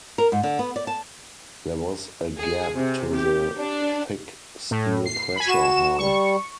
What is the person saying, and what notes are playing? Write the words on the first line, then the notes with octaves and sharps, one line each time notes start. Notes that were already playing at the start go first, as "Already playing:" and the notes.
There was a gap to the -thick steel pressure hull.
A#4
G#2
D3
B3
D5
A5
G#4
C3
G4
D4
A2
C7
G#5 B5
F#4 E7
G3 C#6